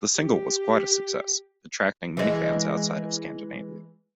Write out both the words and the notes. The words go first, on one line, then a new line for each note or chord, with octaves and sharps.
The single was quite a success, attracting many fans outside of Scandinavia.
G4
E3 G#3